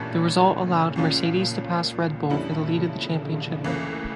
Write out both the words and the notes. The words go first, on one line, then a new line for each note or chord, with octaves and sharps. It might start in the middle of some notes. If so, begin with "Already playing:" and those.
The result allowed Mercedes to pass Red Bull for the lead of the Championship.
Already playing: A1 G2 A#2 E3 A3 C#4
A#2
C#3
C#2 A#2 C#3 F3 C#4 F4
A#2
F2 A#2 D3 G3 C#4 E4
C#3
D3
F3
C#2 C#3 E3 A3 A#3